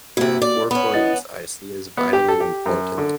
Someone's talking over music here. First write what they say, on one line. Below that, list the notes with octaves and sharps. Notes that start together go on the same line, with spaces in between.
There are four points I see as vitally important.
C3 A#3 E4 F#4
D5
B3 C#4 B5
E4 D#5 A6
B3
G4
A4
G4
F#2
D3